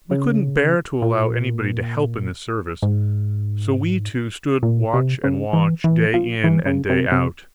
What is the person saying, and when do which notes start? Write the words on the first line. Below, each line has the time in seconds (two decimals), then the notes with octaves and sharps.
We couldn't bear to allow anybody to help in this service, so we two stood watch-and-watch, day in and day out.
0.11 C#3
1.02 A#2
2.82 G#2
4.63 A#2
4.93 C3
5.24 C#3
5.53 E3
5.84 E3
6.14 F3
6.44 E3
6.66 C#3
6.90 C3
7.12 C3